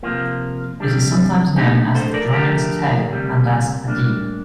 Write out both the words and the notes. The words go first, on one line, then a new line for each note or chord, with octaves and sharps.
It is sometimes known as the "Dragon's Tail" and as "Adib".
C3 F3 A#3 F4
F2 C3 G3 D4
A#2 A3 D4 D#4 G4
A4 C5
A#4 D5
D2 D3 F3 A3 G4 A#4
D2 C3 G3
A2 G3 A#3 D4